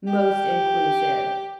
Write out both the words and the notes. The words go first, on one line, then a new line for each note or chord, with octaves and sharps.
most inclusive,
G4